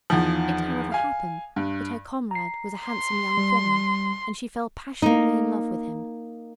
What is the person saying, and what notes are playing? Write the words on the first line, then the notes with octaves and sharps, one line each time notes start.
It, however, happened, that her comrade was a handsome young Fleming, and she fell passionately in love with him.
E2 D#3 F3
F5 G#5
G2
A#5 C7
C6
G3
A#3 D#4